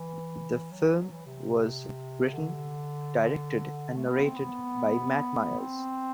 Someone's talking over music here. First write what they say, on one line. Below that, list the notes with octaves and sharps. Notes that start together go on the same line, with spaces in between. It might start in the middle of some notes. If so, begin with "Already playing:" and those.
The film was written, directed, and narrated by Matt Myers.
Already playing: E3
F#3
E3
F#3
E3
C3
D3
A3
B3
C4
B3
C4